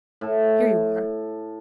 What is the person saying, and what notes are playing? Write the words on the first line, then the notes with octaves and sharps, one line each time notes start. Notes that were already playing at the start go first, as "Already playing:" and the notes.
"Here you are!"
A2 A4